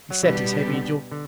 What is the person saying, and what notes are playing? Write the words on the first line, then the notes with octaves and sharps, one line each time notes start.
He set his heavy jaw.
F#3
B2 E3 G3 B3 D4 G4
D3
D3